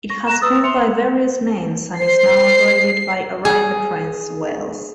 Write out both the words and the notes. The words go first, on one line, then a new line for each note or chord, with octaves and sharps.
It has gone by various names and is now operated by Arriva Trains Wales.
C#6 A#6
A#5 F#6 A#6 E7
B4 D#6 E6 A6
E5 C6 C#7 F7
C5 C7
G#4